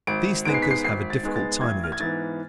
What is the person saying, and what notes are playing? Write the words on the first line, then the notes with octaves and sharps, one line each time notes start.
These thinkers have a difficult time of it.
G#1 D7
G#2 G#3 B3 D7
C7
B6
C7
G#1 C7
A6
G#2 G#3 B3
A6
A1 G#6
F6
G#6
G#2 E3 B3 A6